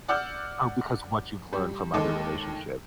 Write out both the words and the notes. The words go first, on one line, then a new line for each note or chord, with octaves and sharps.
Oh, because what you've learned from other relationships.
D5 F#5 D6 E6 F6 G6
G3
D#2 G#3 A4 D6